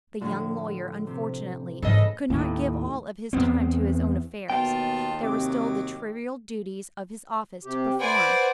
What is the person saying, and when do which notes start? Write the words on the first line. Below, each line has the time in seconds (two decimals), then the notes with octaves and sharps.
The young lawyer, unfortunately, could not give all of his time to his own affairs; there were still the trivial duties of his office to perform.
0.21 A2 D3 F3
1.07 C3
1.82 G#2 C#3 E3 A4 B4 D#5
2.30 D#2 A2
3.33 E2 B3 C4
4.50 D#2 B2 F4 G5 A5
5.23 C3 F#3 D6
7.65 C3 G4
8.00 B4 C5 D5 F#5 G#5